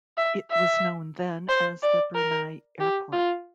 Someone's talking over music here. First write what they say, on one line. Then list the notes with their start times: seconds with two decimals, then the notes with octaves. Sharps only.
It was known then as the Brunei Airport.
0.18 E5
0.52 E5
1.49 C5
1.83 D5
2.15 A#4
2.80 G4
3.13 F4